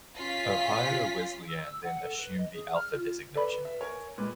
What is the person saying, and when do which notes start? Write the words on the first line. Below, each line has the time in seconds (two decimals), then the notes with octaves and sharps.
Ohio Wesleyan then assumed the Alpha designation.
0.18 C#4 F4 B6 C7
1.47 E6
1.62 E6
1.83 F#5
2.01 A4
2.17 B4
2.37 D#5
2.53 G#4
2.74 F6
2.94 F4
3.36 A4 B4 D5 B5
3.65 E5
3.81 A#4 C#5 G#5
4.18 A#2 G#3 B4 D6